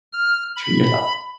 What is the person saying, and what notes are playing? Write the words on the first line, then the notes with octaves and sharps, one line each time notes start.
Treat yourself.
F6
B5